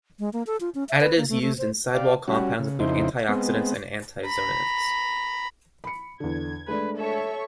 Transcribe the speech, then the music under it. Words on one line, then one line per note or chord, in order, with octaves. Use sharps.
Additives used in sidewall compounds include antioxidants and antiozonants.
G#3
A#3
A4
F4
C#4
E5
B4
A#3
A3
A3
C5
G4 D5 F5
G3 C#4 F#4
C#3
F2 C#3 D#4 E4 C5
G#3 B3 C4
A#5 B5
B5 C#7
E2 D3 G#6
G#3 A3 D4 B4
A4 C#5 E5 C#6